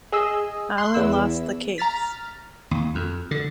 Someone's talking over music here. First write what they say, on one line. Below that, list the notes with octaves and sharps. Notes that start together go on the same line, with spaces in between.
Allan lost the case.
G#4 D#5 E6
C6 F#6
E2 E4 E6
A#5 F6 A6 B6
D#2
F2
D3